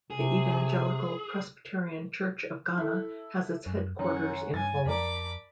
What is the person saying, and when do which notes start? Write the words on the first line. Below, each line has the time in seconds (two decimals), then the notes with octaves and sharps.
The Evangelical Presbyterian Church of Ghana has its headquarters in Ho.
0.10 C3 G#4
2.78 E4 A4
3.66 F#2
3.99 F#2 D#3 C#4 F#5
4.54 G2 G#5 A6
4.86 F2 A#4 D5 A5 B5 D6